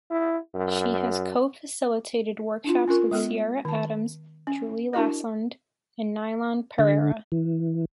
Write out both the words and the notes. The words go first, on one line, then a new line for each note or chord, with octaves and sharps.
She has co-facilitated workshops with Ciara Adams, Julie Lassonde, and Nilan Perera.
E4
F#2
D4 E4 F4
C#4 F4 A#4 C#6
G#3 B3 A4
D#3 A5
C#4
D4 E4 F#4 A#4 D#5
D3
E3